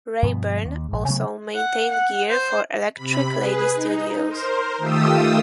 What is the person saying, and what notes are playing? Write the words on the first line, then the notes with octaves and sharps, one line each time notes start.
Rayburn also maintained gear for Electric Lady Studios.
G2 B2 F3 B3
D#2
A#1 G#2
C3 F#3 A3 B3
F#5
F#5
C5
C3 B5
G#4 B4
D#4
A#4 C5
D#3 A3 F4 G4 D#6 E6